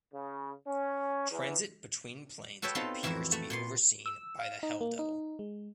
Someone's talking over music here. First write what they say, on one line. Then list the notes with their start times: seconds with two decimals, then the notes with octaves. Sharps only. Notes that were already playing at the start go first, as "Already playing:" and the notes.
Transit between planes appears to be overseen by the Hell Devil.
0.14 C#3
0.68 C#4
1.31 E2
2.62 F#4 A4 B4 C#5 E5 G5
2.75 B3 C4 D#4 F4 A4
3.03 F2 E3 E4 F#4 A#4 E5
3.32 A3 F#4
3.50 A#2 B3 C6
4.06 E6
4.39 F5
4.63 D#4
4.81 A#3
4.99 D#4
5.39 G#3